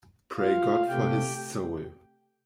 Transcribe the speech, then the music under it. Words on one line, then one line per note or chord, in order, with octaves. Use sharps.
"Pray God for his soul.'".
F4 F5
C3 A3 G4 G5